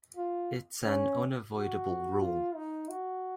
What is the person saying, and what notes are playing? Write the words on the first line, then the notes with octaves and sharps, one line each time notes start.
It's an unavoidable rule.
F4
C#4
F#4
F4
D#4
F#4